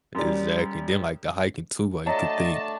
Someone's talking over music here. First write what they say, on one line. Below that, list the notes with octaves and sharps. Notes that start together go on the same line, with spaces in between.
Exactly. Then, like, the hiking too, like, you could think
F#2 G3
F#3 A3 D4 D#5 A5